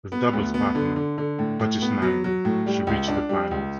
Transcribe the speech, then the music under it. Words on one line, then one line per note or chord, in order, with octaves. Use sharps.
With doubles partner Patty Schnyder she reached the finals.
B3
D2
B3
D3
D3
D3
A2
A2
B3
F#3
F#3
A2
G3
C#2
D4
G3
C#2